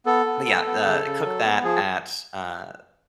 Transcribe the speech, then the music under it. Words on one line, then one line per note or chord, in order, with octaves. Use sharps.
but, yeah, uh, cook that at, uh,
B3 A4
B3
B3
B3
C#3
C#3
F#3
B3
F3 G#4